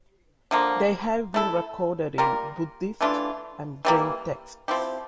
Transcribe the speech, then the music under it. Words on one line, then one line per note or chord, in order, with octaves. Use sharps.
They have been recorded in Buddhist and Jain texts.
D3 F3 A#3
A3 E4 A4
G3 A#3 F4 A#4
E3 A3 D4 F4
E3 G3 A#3
F3 C4 E4 G4